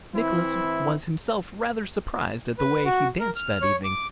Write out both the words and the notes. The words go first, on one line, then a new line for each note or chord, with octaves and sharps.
Nicholas was himself rather surprised at the way he danced that evening.
E3 C4 E4
B4
F#4
A#4
F6
C#5
D6